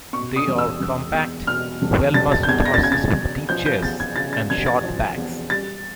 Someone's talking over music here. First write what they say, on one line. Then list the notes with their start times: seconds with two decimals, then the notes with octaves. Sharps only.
They are compact, well-muscled horses with deep chests and short backs.
0.13 B2 C#6
0.36 D#6
0.47 E1
0.58 E6
0.80 E1
1.13 E2
1.47 B2 F6
1.82 E1
2.14 E1 A6
2.32 A6
2.43 G6
2.48 E2 G#6
2.65 A#6
2.74 A6
2.82 C#3 G#6
2.92 A6
3.15 E1
3.49 F3 G6
3.66 G6
3.82 E2 A6
4.00 G#6
4.16 C#3 A6
4.33 A6
4.50 E1 G#6
4.66 A6
4.84 F3
5.17 E2
5.50 G3 A6